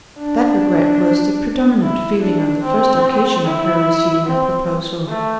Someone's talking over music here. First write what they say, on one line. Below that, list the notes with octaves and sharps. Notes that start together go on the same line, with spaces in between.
That regret was the predominant feeling, on the first occasion of her receiving a proposal.
D4
E4
D4
C4
E4
C4
A3